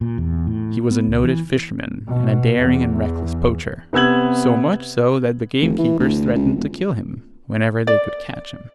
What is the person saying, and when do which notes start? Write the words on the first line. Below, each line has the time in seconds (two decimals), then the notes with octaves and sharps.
He was a noted fisherman and a daring and reckless poacher, so much so that the gamekeepers threatened to kill him, whenever they could catch him.
0.01 A#2
0.18 E2
0.47 A2
0.91 B3
1.07 C#2
1.24 E3
2.07 B2
2.58 E2
3.93 C3 B3 E6 G#6 F#7
5.61 F1
5.78 E3
5.99 D2
6.35 C#2
6.56 E1
7.87 D5